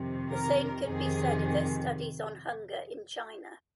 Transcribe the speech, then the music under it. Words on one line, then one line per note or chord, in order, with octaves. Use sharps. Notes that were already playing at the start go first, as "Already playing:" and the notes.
The same can be said of their studies on "hunger in China".
Already playing: F2 C3 D#3
A#4
F2 C3 D#3 G#4